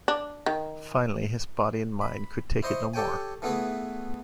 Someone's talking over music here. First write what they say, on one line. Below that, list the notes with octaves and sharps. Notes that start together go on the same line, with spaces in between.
Finally, his body and mind could take it no more.
D4
D#3
B5
E4 C5 D#5 C6 C#6
G4 A4 C#5 G5 G#5
E3 A3 B3 E4 G#4 B4